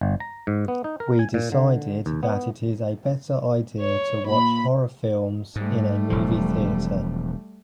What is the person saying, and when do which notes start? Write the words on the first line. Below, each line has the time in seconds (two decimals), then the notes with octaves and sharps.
We decided that it is a better idea to watch horror films in a movie theater.
0.01 G1
0.20 A#5
0.47 G#2
0.68 B3
0.84 D#4
1.00 A#4
1.19 G#5
1.34 A#2
1.52 D3
2.06 D#2
2.23 B3
3.79 C#5
4.28 A#2 B5
5.56 G#2 G3 A3
6.10 E1 F3